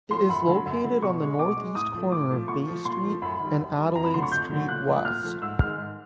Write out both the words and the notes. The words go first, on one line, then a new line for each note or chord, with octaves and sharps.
It is located on the northeast corner of Bay Street and Adelaide Street West.
F3 A3 C6
F#2 B5
D3 F#3 A3
F#2
D3 F#3 A3
B2 C#6
G#3
B2 D6
G#3
A2 D#6
F3 A3
A2 D6
F3 A3
A#2 C#6
F3 A3
A#2 C6
F3 A3
F#2 B5
D#3 G3
F#2
D#3 G3
F2 A#5
B5
D3 F#3 A3 C6
C#6
F2 G6
D3 F#3 A3
A#2 F#6
F3 A3
A#2 F6
F3 A3
G#2 E6
D#3 G#3 F6
G#2